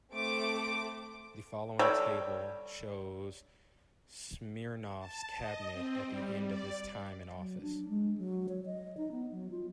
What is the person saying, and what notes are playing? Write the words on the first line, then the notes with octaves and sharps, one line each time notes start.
The following table shows Smirnov's cabinet at the end of his time in office.
A3 C4 D6 D7
G3 A4 C#5 G5
A5
D#5
C4
G3
D5
F#3
D4
G#3
F#3
C#5
D#5
D#4
B3
F#3
F4